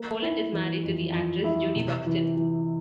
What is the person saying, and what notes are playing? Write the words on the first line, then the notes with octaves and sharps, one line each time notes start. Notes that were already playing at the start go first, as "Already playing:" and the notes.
Holland is married to the actress Judy Buxton.
Already playing: A#3
E4
E3
F2
F2
E4
C3
E3
E3